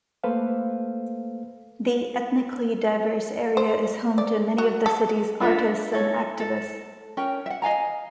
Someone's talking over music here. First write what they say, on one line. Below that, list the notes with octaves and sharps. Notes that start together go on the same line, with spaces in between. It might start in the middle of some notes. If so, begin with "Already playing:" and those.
The ethnically diverse area is home to many of the city's artists and activists.
A3 A#3 A4 B4 C5 F5
C5
D5
F#4
A4
D4 F4 A4 E5
E4 A4 C#5
A4
C#4 A#4 G5
E5 F#5
D#5 F5 G#5 A#5